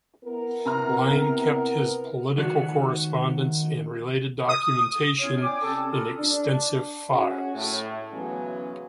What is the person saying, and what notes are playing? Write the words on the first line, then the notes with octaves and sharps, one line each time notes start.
Lang kept his political correspondence and related documentation in extensive "files".
B3 E4 A#4
C3 A#5 F6
D#3 F#4
D#6
B3 C#4 E4 F4 G#4 C#5
D5 G5 G#5 D6
C3 C4 C#4 A4
E4 F4 A4 A#4 D#6
D4
C#4 F#4 G#4
A2
C#3 E3 F#3 G#3 B3 C#4